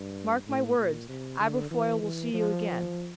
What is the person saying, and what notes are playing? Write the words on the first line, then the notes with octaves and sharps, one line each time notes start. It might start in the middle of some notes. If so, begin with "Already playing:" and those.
"Mark my words, Aberfoyle will see you again!"
Already playing: G2
A2
A#2
C3
D3
E3
E3
F3